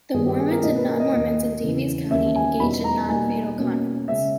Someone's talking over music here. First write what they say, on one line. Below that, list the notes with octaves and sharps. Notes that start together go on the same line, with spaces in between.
The Mormons and non-Mormons in Daviess County engaged in non-fatal conflicts.
G2 D#3 G3 B3 D#4 G#4
G4
G#4
A#4
B2 A#3 C#4 D#5
B4
A#4
D#5
D#2 D#3 A#3 D#4
E2 C#3 E3
D#2 D#3 A#3 C#4 E5
G#5
E2 B2 G3 B3 D#4 B5
A#5
B2 G3 A#3 D#4 G#5
B2 A#3 C#4
C#3 G#3 C#4 E5